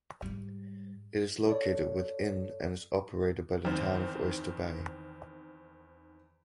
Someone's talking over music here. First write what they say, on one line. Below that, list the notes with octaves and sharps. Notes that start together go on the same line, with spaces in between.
It is located within and is operated by the Town of Oyster Bay.
G#2 G3
A4 C#5 D5
E2 D#3 C4